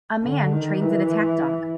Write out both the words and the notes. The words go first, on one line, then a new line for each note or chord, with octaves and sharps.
A man trains an attack dog.
D3
D#3
E3